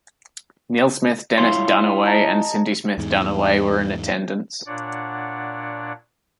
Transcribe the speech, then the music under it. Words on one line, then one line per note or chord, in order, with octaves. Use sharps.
Neal Smith, Dennis Dunaway and Cindy Smith Dunaway were in attendance.
E4 F4 C#5 C6
D#5 A5 A#5
E2 G#2
A#2 D4 C#5 D5 F#5